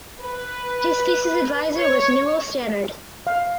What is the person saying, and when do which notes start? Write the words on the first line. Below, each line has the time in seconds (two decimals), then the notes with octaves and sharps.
His thesis advisor was Newell Stannard.
0.20 B4
1.78 C#5
3.27 F5